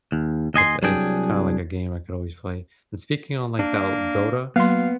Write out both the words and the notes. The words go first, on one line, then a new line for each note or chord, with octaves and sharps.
It's it's kinda like a game I could always play, and speaking on, like, Dol Dota,
D#2
D#2 D#5 G#5 C6
C2 F#3 D4 G#4 G5 G#5
A#3 D4
F#3 A#3 B3 F5 C6